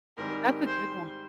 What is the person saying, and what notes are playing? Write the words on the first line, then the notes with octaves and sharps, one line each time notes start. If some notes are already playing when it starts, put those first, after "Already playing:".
that's a good one.
G#2 D#3 G3 C4 G4 A#4
C5